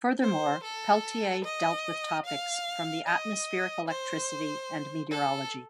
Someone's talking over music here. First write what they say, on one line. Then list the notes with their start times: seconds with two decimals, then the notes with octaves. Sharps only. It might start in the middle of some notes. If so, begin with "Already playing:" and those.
Furthermore, Peltier dealt with topics from the atmospheric electricity and meteorology.
0.22 C5
0.63 A4
1.44 D#5
2.25 F5
3.07 D#5
3.88 C5
5.11 A4